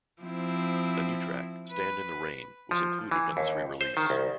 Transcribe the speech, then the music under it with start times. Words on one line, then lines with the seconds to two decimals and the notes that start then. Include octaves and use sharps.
A new track, "Stand in the Rain", was included on this re-release.
0.22 F3 C4 E4
1.72 B4
2.71 F3
3.11 E3
3.37 D#2
3.81 C5
3.97 D#3
4.10 C2